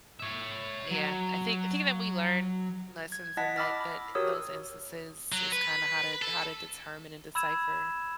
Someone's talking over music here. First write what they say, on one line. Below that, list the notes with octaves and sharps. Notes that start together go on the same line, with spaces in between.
uh, yeah, I think I think that we learn lessons in that that those instances, just kinda how to how to determine and decipher
C#5 E5
F#3
G#6
E4 D#5 F#5 A5 A#6 B6
B5 D6 E6 F6 A6 A#6
B5
F#4 G4 A#4 C#5 D#6 E6
F#3
B4
A4
B5 E6 G#6 E7